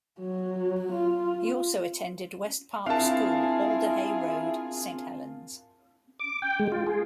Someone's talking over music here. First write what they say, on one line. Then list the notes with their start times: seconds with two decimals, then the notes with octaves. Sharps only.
He also attended West Park School, Alder Hey Road, Saint Helens.
0.20 F#3
0.93 F4
2.86 C4 D4 E4 F4 G#4 A#4 F5 A5
6.19 D6
6.42 G5
6.59 G#3
6.72 F4
6.87 G#4